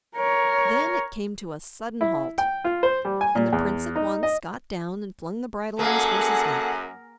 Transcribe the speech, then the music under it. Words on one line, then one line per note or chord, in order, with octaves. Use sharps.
Then it came to a sudden halt, and the prince at once got down and flung the bridle on his horse's neck.
A#4 C#5
E4
G5
F4
C5
G3
G#5
A#2
E2
D#4
D#5
F#2 A#3 G#4 A4 F#5